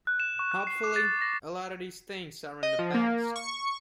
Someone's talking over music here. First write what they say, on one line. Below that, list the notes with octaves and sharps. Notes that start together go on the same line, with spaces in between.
Hopefully, a lot of these things are in the past.
F#6
E7
C#6
F#6
C7
D6
A6
A#6
D#5
F3
A#3
C#6